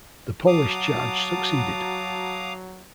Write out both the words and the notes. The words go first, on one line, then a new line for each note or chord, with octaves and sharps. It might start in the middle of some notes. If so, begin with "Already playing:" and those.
The Polish charge succeeded.
F#3 F#4 F5 A5 A#5 D6 D#6